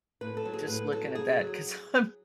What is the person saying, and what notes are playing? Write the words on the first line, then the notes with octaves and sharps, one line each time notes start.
just looking at that 'cause I'm
A2 B4
A4
F#3
G#4
A2 B4
F#3 A4
C#3 G#4
F#3